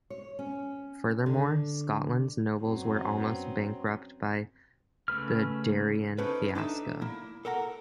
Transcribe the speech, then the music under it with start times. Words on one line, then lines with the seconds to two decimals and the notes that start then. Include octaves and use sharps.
Furthermore, Scotland's nobles were almost bankrupted by the Darien fiasco.
0.10 C#5
0.39 C#4
1.26 D3
2.59 F#2 F#3 B3 C4
5.08 C#3 A3 B4 F6
6.18 C#4 D#4 E4 A4 B4 C5
6.55 D4 D#4 A4 E5
7.01 A#3 E4
7.45 A4 A#4 F#5 A#5